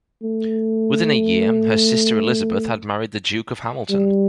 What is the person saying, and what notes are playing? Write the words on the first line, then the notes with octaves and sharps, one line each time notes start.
Within a year, her sister Elizabeth had married the Duke of Hamilton.
A3
G3